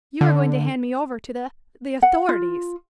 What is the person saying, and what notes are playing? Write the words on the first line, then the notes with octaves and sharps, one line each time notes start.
"You are going to hand me over to the--the authorities."
D3
F#5
F4